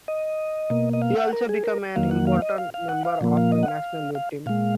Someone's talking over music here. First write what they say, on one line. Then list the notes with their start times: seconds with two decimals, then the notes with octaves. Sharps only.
He also became an important member of the national youth team.
0.08 D#5
0.70 B2 A#3
0.93 D#5
1.02 F5
1.17 F#5
1.33 A#4
1.49 G#4
1.64 A#4
1.96 F2 D#3 F#3 A#3 F5
2.11 F#5
2.27 F5
2.42 D#5
2.58 F5
2.74 F5
2.89 F#5
3.05 F5
3.21 A#2 F3 A#3
3.37 F5
3.52 D#5
3.63 F#5
3.68 F5
4.15 F5
4.46 A#2 G#3 F5